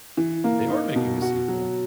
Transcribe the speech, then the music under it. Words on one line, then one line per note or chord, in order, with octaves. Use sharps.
They are making a sequel.
E3
A#3
D#4
B2
F#4
F#3